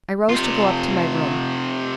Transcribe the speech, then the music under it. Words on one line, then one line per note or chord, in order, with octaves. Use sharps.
I rose to go up to my room.
C3 F4